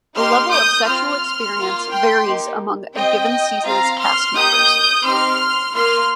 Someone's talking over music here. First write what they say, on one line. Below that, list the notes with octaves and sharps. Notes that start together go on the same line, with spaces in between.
The level of sexual experience varies among a given season's cast members.
A#3 D#4 G4 C6 F6
D#6 G6
C4 F4 C6 F6
A#3 F4
G5 C6
A#3 D#4 G4
C4 G4 D#5 G5
C4 F4 F5 A#5
C6 F6
A#3 D#4 G4 D#6 G6
C4 D#4 G4 C6 F6
A#3 F4 C6 F6